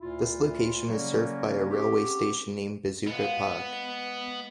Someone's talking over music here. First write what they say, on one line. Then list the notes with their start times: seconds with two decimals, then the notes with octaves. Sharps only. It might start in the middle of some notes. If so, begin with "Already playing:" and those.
This location is served by a railway station named 'Besucherpark'.
0.01 D2 A#2 E4 F4
0.87 C#3 F#3 G3 A#3 C#4
1.70 C4 C#4 F#4 G4
3.07 G#3 B3 F4